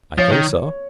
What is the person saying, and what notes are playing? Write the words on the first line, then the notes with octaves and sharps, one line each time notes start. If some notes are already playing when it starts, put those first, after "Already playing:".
"I think so."
F3 C#5
D#3